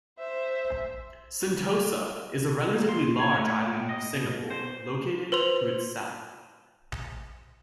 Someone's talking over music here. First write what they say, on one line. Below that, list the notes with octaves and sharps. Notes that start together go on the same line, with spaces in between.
Sentosa is a relatively large island of Singapore located to its south.
C5 E5
A#3
C6
C#5
A3
A2
D#5
B2
C5
B4 C5 C6 F7